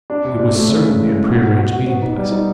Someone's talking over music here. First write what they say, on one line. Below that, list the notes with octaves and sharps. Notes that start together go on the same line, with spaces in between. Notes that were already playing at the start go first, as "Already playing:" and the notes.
It was certainly a prearranged meeting place.
D4
C3
D4
A3
C#3
G#3
E3
G#3
B2
F#4
F#4
F#4
B3
D#4
G3
D#4